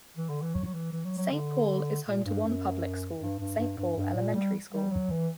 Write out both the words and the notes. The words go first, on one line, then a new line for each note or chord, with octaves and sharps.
Saint Paul is home to one public school, Saint Paul Elementary School.
E3
D3
E3
F#3
F#3
E3
E3
F#3
F#3
D3
A#2
G2
F#2
G2
G2
G2
G2
G2
A#2
G3
G3
F#3
E3